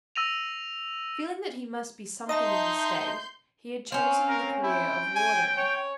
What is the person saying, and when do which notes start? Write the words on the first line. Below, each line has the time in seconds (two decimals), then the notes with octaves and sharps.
Feeling that he must be something in the State, he had chosen the career of warden.
0.16 E6 A#6 D#7 F7
2.29 D#4 D#5 E5 A5 A#5 C6 G6
3.92 C4 C#4 F5
4.29 A#4
4.63 E4 G5
5.16 G#5
5.57 C#5